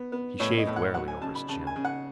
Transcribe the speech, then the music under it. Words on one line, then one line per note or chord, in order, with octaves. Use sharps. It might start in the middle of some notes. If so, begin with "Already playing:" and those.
He shaved warily over his chin.
Already playing: B3
B3
A2 C#5
D#5
A2
F#5
F#3 F#5
G#5
C#3 A5
B5
C#3 A5
G#5
C#3
F#5